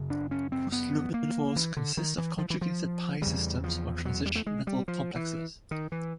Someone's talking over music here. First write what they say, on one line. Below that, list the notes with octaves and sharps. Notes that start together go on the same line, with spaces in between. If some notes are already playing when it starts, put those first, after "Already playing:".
Most luminophores consist of conjugated pi systems or transition metal complexes.
Already playing: F#2 C#3
D4
C#4
C4
B3
A#3
E3
D3
D#3
E3
F3
E3
F3
E2 C#3 G3
F3
F#3
G3
A3
G#3
G3
F3
E3
D#3
E3